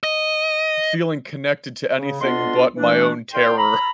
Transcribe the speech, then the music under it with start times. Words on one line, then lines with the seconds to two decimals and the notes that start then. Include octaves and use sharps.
feeling connected to anything but, my own terror,
0.03 D#5
1.96 C#3
2.20 D2 B3 D4 F4 D#5 C6
2.77 E3 A3 D4
3.33 C2 D5 F5 G5 C6
3.57 A#5 B5